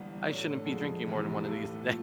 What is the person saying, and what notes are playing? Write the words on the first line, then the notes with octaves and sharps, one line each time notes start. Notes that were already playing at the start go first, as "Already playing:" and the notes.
I shouldn't be drinking more than one of these a day."
Already playing: G1 G2 E3 G3 B3
A2 F#3 A3 D4
F2 D3 F3 G#3
E1 E2 C3 E3
B1 A2 E3 A3
A#2 F3 A3